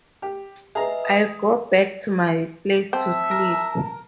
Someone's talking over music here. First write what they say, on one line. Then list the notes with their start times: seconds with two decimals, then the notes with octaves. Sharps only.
I go back to my place to sleep.
0.22 G4
0.75 G#4 B4 D#5 E5 A#5
1.04 D#6
2.93 C4 E5 A5
3.31 A#4